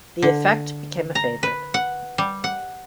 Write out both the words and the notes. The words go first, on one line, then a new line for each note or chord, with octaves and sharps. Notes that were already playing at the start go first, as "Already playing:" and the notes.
The effect became a favourite.
D3
A#5
B4
F#5
G3
F#5